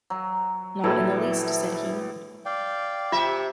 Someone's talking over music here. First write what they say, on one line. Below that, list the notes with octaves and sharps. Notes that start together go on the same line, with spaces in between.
"Not in the least," said he.
F#3
A#1 E3 F#3 E4 A4
D5 F5 G5
C3 F4 G4 E5